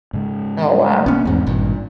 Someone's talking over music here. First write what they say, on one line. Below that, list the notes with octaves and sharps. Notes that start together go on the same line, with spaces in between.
Oh, wow.
G#2 C#3 G#3
B1 A#3 B3 C#4 D4
D#1 E2 G#2 A3 C4
G#1 G2 A#2